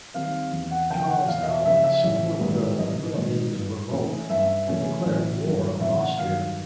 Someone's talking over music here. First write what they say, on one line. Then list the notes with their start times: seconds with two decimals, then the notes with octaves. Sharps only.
Charles Albert supported the Milanese revolt and declared war on Austria.
0.14 D#3 G3 C4 F5
0.52 E2
0.71 F#5
0.90 C#3 F3 G5
1.09 F#5
1.28 E2 F5
1.43 D#5
1.47 E5
1.66 C#3 F3 E5
1.84 E5
2.04 A1
2.40 G#2 D#3 G3 B3
2.79 A1 D#5
3.17 G#2 D#3 G3 B3
3.55 G2
3.92 E3 A3 C#4
4.29 G2 E5
4.68 E3 A3 C#4
5.05 A1
5.43 G2 D#3 F#3
5.80 A1 E5
5.99 F#5
6.18 G2 D#3 F#3 F5